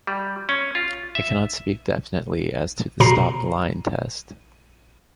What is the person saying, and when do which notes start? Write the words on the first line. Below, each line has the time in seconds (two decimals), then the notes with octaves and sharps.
I cannot speak definitely as to the stopped-line test.
0.07 G3
0.49 C#4
0.75 F4
1.15 E5
3.00 B2 A#5 C7